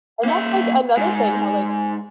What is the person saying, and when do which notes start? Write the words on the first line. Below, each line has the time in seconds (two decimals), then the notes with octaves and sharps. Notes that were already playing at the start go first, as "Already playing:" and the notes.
And that's like another thing how, like,
0.25 A#3 E5
0.97 G#2